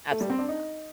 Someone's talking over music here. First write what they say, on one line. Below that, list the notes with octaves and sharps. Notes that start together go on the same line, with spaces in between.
Absolutely not.
A3
G3
C4
D4
D#4